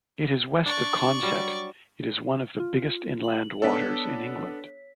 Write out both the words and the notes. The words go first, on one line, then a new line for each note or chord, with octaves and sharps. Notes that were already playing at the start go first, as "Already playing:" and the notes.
It is west of Consett.It is one of the biggest inland waters in England.
D4 D5 C#6
F#3 G3
F4
F#7
B3 D4 A4 C#5 B6